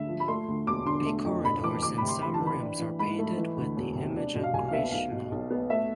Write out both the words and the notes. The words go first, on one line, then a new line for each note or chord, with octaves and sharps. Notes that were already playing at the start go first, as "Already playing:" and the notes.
The corridors and some rooms are painted with the image of Krishna.
Already playing: D2 D3 G#3 E5
F3
B5
A3 C6
D2
E1 D6
D3 C6
A3
F2
F1 B5
E3 D6
D2 D6
C3 B5
C6
D2 B5
A5
E3
B5
D4
E3
G#2 B5
A3
E3
D2
E1
C3
D4
B2
F5
C2 G#5
F5
B3 E5
B1 F5
B2
B1
B3
A3 E5